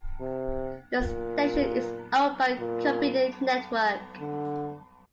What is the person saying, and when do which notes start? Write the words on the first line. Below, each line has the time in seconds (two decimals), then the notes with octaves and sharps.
The station is owned by Covenant Network.
0.21 C3
1.00 A#2
2.60 A#2
4.20 D3